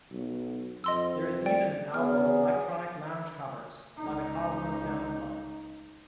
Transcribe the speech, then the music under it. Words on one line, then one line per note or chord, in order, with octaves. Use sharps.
There is even an album of electronic lounge covers, by the Cosmos Sound Club.
B1
F2 D#5 C6 E6
D5 G5
E2 F#3 B3 G#4 F6
C#2 D#4